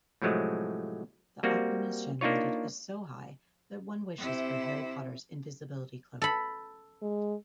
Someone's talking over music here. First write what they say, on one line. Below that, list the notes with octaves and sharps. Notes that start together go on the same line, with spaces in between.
The awkwardness generated is so high that one wishes for Harry Potter’s invisibility cloak.
A2 C3 F3 F#3 G#3 A3
G3 A#3 C4 F#4
A#3 D4 D#4 F4 C#5
C3 E4
A4 B5
G#3